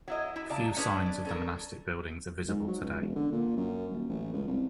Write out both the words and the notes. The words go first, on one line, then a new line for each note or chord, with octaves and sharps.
Few signs of the monastic buildings are visible today.
F#3 E4 D#5
F#2 E4
C#3 D5 A5 A#5
C#4 D4 G#4 B4
D5
C#4 A4 A#4
G#2
F#3
C#2
E1
D3
A#2
F#2
D#1
A1
C#2
C2